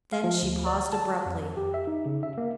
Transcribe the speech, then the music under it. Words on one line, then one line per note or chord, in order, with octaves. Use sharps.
Then she paused abruptly.
F5
F3
D2
D5
A5
F2
G4
E5
D#4
C#3
E5
A#3